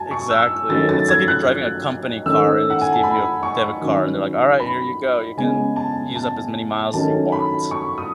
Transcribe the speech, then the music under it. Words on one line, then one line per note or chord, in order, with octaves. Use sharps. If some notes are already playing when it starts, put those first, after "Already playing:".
Exactly, it's like if you're driving a company car and they just give you a debit card and they're like, "All right, here you go, you can use up as many miles as you want."
Already playing: F#3 G#5 A5
C#6
E6
D#3 F#3 A3 C#4 A6
A6
G#6
F#6
D#3 A3 C#4 E6
F#5
G#5
A5
B5
C#6
D#3 F#3 C#4
B5
C#3 G#3 B3 G#5
A5
A5
D#3 F#3 A3 C#4 A5
B5
C#6
D#6